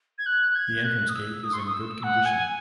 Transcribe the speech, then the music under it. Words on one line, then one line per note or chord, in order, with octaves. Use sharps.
The entrance gate is in good condition.
G#6
F#6
G#6
F#6
D#6
E6
D#6
C6
C#6
D#6
E6
F#5
G#5